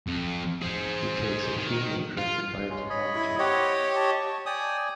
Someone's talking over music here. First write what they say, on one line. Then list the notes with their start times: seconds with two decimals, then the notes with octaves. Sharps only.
He takes a keen interest in biotechnology.
0.07 F2
0.62 G#4 C5
1.57 D#3
2.18 F4
2.69 G#3 C#4
2.90 C#5 D#5 B5
3.15 E4
3.39 C4 G4 C#5 D#5 F#5
3.96 A5 C#6
4.46 D5 G5 G#5 D#6